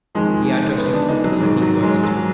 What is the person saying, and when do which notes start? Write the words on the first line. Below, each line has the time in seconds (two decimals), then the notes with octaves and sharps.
He addressed himself to Sydney first.
0.15 F2 D#3 G#3
0.78 B3
0.94 D4
1.09 D#4
1.24 F#3
1.40 G#2 D#3
1.62 F#3
1.83 G#3
2.04 F#3